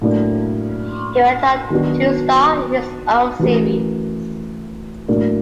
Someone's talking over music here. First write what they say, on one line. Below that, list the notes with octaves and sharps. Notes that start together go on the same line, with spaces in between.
He went on to star in his own series.
A2 F#3 A#3 D4
D#3 F#3 B3 D4 F#4
E3 A3 C#4 F#4 A#4
A2 F#3 A#3 D4